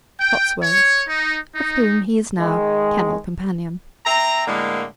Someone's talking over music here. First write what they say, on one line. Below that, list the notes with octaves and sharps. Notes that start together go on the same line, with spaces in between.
Cotswold, of whom he is now kennel companion.
G5
C#5
D#4
D#4
D#3 G#3
C4 E5 A#5
A2 D3 G#3 A#3